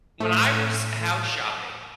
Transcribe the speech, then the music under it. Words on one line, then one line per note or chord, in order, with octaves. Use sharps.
when I was house shopping
A2 A3